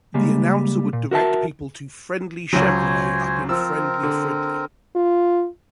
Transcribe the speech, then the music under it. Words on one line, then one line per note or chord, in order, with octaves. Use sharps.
The announcer would direct people to "Friendly Chevrolet up in Friendly Fridley".
C#3 G3 G#3 A#3
A#2
F#4 A#4 E5 A5
C#2 F#3 C5 C#5 G#5
F3 C4 A#4 E6
D3
F4